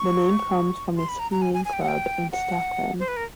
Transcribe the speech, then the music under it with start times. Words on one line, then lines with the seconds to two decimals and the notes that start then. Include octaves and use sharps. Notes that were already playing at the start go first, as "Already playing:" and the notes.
The name comes from a swinging club in Stockholm.
Already playing: C#6
0.97 C6
1.09 B5
1.19 A#5
1.32 A#5
1.42 G#5
1.54 G#5
1.65 G#5
1.73 G5
1.81 F#5
1.88 G5
2.32 F#5
3.00 C5
3.08 B4
3.17 A#4